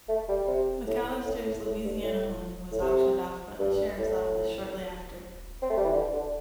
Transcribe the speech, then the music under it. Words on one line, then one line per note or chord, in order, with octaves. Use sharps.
McAllister's Louisiana home was auctioned off by the Sheriff's office shortly after.
A3
G3
C3
A2
A2
A2
A2
G2
A2
A2
C3
G2
A2
C4
A3
G3
E3
D3
D3